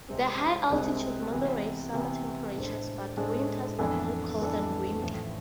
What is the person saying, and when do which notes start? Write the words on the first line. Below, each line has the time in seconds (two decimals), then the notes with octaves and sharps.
The high altitude moderates summer temperatures, but winters are very cold and windy.
0.08 C2 C3 G#3 C4
0.70 C2 C3 G#3 C4
1.32 C3 E3 B3
1.93 C3 E3 B3
2.55 A2 G#3 D4 A4 C5
3.16 A2 G#3 D4 A4 C5
3.78 F2 E3 B3 D4 A4
4.40 F2 E3 B3 D4 A4
5.02 A1 A2 F3 A3